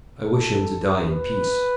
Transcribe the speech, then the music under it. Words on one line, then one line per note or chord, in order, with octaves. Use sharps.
"I wish him to die in peace."
A4
B4